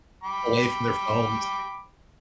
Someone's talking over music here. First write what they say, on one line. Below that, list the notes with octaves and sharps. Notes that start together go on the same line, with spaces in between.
away from their phones,
G5 B5 D6